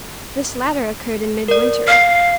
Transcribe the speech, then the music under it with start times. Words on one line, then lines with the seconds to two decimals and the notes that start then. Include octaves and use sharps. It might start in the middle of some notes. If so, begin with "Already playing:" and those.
This latter occurred in midwinter.
1.48 A#4 D5
1.88 F5 F6 C7